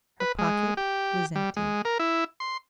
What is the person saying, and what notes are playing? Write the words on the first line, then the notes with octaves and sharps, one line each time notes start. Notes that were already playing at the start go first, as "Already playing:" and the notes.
Her pocket was empty!
B4
G#3
G4
G3
G#3
A#4
E4
C6